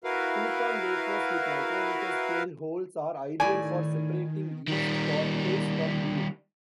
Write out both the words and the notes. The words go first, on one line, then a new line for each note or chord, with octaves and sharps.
Silicon wafers with micrometer-scale holes are ideal for separating yeast particles from beer.
E4 F#4 A#4 B4 F5
A2 D#3 D5 G#5
D#3
D#3 G3